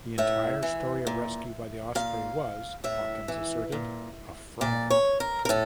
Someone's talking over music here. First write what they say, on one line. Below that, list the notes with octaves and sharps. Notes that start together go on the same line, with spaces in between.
The entire story of rescue by the "Osprey" was, Hawkins asserted, a fraud.
A2 E5
E3
A#2
A#2 F5
A2 E5
E3
A#2
A#2 D5
C#5
A#4
A#4
A2 A4